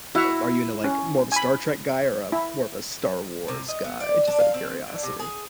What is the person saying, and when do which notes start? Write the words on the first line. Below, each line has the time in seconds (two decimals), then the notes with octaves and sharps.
Uh, are you into, like, more of a Star Trek guy or a more of a Star Wars guy? Just out of curiosity.
0.15 E4 F#4 E5 F#5 A#5
0.84 C#4
1.32 G#5 B5
2.32 E4
3.48 C3
3.68 D#5
3.84 B3
4.00 D5
4.27 D4
4.40 F5
4.54 C4
4.87 D3
5.03 C3
5.20 G#4